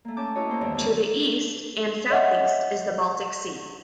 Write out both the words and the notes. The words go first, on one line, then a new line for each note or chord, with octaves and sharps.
To the east and southeast is the Baltic Sea.
A3 A#3
C#4 A5 D6 G6
E4 F#4 C#5 D#5
A#3 C5
E2 G2 D#3
G#2 D3 A#3
C#5 D#5 E5 F#5